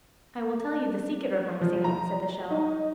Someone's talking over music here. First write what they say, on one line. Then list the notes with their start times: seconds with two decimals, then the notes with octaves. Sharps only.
"I will tell you the secret of my singing," said the shell.
1.61 F3
1.84 A#5
2.51 D#4